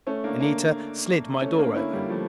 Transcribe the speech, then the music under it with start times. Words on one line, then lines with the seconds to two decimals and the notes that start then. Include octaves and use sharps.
Anita slid my door open.
0.07 A3 C#4
0.24 A#3 D4
0.40 A#3 D4
1.42 A3 C#4
1.59 A#3 D4
1.76 C#4 E4
1.93 G3 A#3
2.09 F3 A3